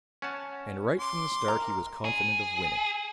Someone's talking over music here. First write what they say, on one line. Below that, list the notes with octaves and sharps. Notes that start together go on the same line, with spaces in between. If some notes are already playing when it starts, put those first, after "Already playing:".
And right from the start he was confident of winning.
C#4 F#5 A5
C6 D6
A#4
G#4